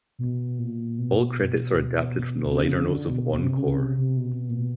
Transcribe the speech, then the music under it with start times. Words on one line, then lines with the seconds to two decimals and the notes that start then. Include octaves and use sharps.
All credits are adapted from the liner notes of "Encore".
0.19 B2
0.59 A#2
0.98 B2
2.51 C3
2.57 C#3
2.84 D3
3.10 B2
3.37 C3
3.57 C#3
3.78 C3
3.97 C3
4.17 B2
4.49 A#2
4.57 B2